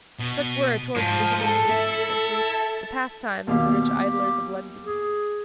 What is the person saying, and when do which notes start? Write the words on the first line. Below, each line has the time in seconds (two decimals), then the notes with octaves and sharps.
Such were, towards the beginning of the eighteenth century, the pastimes of the rich idlers of London.
0.19 B2
0.96 G#2 F3
1.41 A4
1.70 E4
3.47 D#2 B2 G4 F5
4.84 G#4